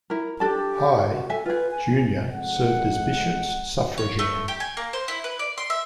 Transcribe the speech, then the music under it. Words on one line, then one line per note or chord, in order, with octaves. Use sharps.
High, Junior served as bishops suffragan.
E4 A#4
D4 G4 A4 A5
F#4
A4 E5 G#5
F4 G#4 B4
G#5
F2 G#3 F#5
C#5
A3
G4
G#5
A#3
C5
E4
B4
D5
C6
E5